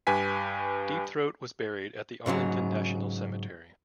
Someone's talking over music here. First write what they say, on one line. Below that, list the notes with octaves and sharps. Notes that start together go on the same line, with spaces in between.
Deep Throat was buried at the Arlington National Cemetery.
G2 G4 B4 G#5 B6
G#2 C#3 F3 F#3